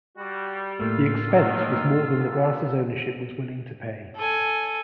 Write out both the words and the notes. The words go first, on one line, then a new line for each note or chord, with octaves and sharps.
The expense was more than the Brass' ownership was willing to pay.
G3 F#4
A2 A3 A#3 F4 E6
B1 D#3
A#2 D3 B3
A4 G#5